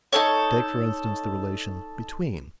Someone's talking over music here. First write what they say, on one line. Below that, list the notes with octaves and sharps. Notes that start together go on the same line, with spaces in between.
Take, for instance, the relation 'between'.
D#4 F#4 A4 C#5